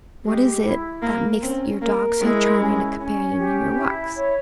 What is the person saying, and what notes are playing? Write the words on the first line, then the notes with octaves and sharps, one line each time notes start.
What is it that makes your dog so charming a companion in your walks?
G#3 G4
E4
A#3 A#4
C4 C#4
A#3 A#4
G#3 E4
C#4
C#4
G4
E4
C#5